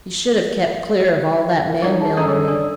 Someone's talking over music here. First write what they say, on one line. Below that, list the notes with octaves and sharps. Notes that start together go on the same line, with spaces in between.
You should have kept clear of all that man-millinery.
A#4
G3 D4 D#4 D5
G#4 A5
F#2 D4 G#4 A4 C5 D#5 A#5 D#6
G3 C#5
D4 D5 D#6